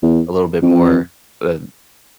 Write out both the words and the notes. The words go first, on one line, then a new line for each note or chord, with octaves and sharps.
a little bit more, uh,
E2
F2